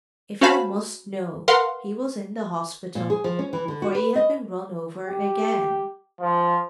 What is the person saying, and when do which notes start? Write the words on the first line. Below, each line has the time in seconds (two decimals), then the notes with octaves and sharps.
If you must know he was in the hospital, for he had been run over again.
0.41 C#4 F#4 C5 F5 A5 B5
1.48 A#4 B4 F5 F#5 C6
2.95 A#2
3.10 G#4
3.24 F3
3.39 C#4
3.53 E3
3.68 D3
3.82 F#4
3.95 B4
4.16 D#5
5.08 G4
6.21 F3